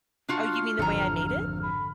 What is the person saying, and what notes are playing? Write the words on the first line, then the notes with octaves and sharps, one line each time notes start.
Oh, you mean the way I made it?
D4 F4 F#4
F6
G#1 F2 D3 A4 A#5
F6
B5